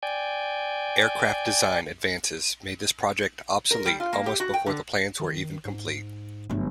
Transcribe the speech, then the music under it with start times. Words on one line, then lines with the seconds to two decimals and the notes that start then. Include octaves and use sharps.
Aircraft design advances made this project obsolete almost before the plans were even complete.
0.03 D5 G5 G#5
3.71 A#4
3.86 G3
4.00 F4
4.13 A#3
4.26 G4
4.40 F#4
4.54 G5
4.66 D3
5.20 D#3
5.65 G#2
6.50 G1 F#3 A3